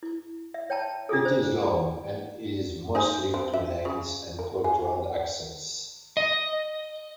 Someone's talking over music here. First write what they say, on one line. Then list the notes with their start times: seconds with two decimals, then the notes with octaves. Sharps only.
It is long, and is mostly two lanes and controlled access.
0.03 E4
0.54 E5
0.70 C#5 G5 A5 A#5
1.09 D4 F4 G#4 A4
1.25 C5
2.95 D#4 C5 G#5
3.34 C4
3.54 E5
3.85 C#3
4.39 A#4
4.64 G#4
6.17 D#5